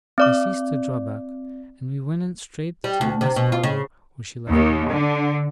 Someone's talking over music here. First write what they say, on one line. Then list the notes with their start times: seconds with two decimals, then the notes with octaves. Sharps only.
I ceased to draw back, and we went straight to the best parlour, where she left me.
0.18 C4 D5 D6
2.84 G3
3.01 D2
3.21 C3
3.36 B2
3.52 F4
3.63 C#3
4.49 D#2
4.90 D3